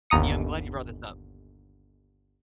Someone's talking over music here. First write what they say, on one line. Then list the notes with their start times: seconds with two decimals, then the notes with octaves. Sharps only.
Yeah, I'm glad you brought this up.
0.10 G1 D#2 A#5 D#6 C#7